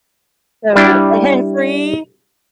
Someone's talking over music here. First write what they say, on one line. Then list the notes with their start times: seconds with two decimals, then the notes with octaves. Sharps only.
So, every
0.76 G3 D4 E4 G5